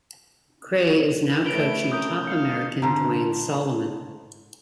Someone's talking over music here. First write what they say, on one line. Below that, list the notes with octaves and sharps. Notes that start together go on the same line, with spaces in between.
Gray is now coaching top American Duane Solomon.
A2 A3 D4 B4 D7 F7 G7
C#4 A#4 D#6 G6
F5 C#7
G#2 D3